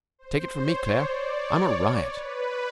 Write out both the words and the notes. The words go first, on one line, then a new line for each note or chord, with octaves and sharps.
Take it from me, Claire, I'm a riot.
C5
C#5
D5
C#5
B4